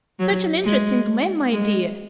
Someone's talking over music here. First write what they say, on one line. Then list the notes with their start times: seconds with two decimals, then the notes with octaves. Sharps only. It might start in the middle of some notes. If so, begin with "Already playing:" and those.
Such an interesting man, my dear.
0.19 F#3
0.64 G#3
1.53 G#3